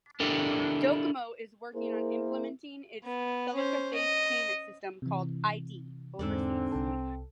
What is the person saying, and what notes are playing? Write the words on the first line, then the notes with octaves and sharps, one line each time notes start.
Docomo is working on implementing its FeliCa-based payment system, called iD, overseas.
D4 E4 G4 A4 A#4
A#3 E4 G#4 A#4 C5
B3
C#4 C5
D#5
C3 E3
E2 G#2 D3 C4 D5 E6
C2 A4